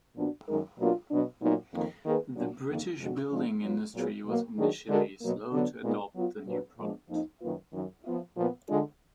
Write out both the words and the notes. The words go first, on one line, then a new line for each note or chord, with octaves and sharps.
The British building industry was initially slow to adopt the new product.
A#2 F3 B3 D4 F#4
F#2 D#3 G#3 D#4 A#4
B2 F#3 A#3 D4 F4
B2 F#3 D4
A#2 F#3 B3 D#4
F2 D#3 A#3
D#3 A#3 D#4 G#4 B4
A#2 F#3 D4 F#4
F2 D#3 A#3 D#4
F2 D3 G#3 D4 F#4
F3 G#3 D4 F4
F#3 B3 F4
A#2 F#3 B3 F4 G#4
B2 F#3 A#3
D#3 F#3 D4 G#4
D3 G#3 D4 F#4 A#4
B2 F#3 A#3
D3 F#3 B3 D4
A#2 G#3 B3 D#4
F#3 B3 F4
A#2 F#3 D4 F#4 B4
A#2 F3 G#3 B3 D4
F2 F3 A#3 D#4
F#2 D#3 A#3 F4 B4
F#2 D#3 F#3
F3 B3 F4
A#2 F3 B3
D3 G#3 D4 F4 G#4